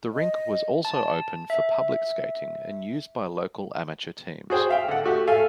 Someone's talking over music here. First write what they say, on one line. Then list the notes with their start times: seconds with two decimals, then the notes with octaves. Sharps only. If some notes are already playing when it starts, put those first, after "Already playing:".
The rink was also open for public skating and use by local amateur teams.
0.14 D#5
0.85 A5
1.50 E5
4.50 F#4 G#4 C5 G5
4.69 E5 F5 G5
4.88 D3 A4 F#5
5.04 A3 F#4 G4
5.27 A3 A4 F5 G#5